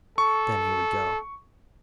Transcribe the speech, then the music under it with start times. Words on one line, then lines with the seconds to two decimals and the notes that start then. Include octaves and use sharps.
Then he would go.
0.18 A4 C#6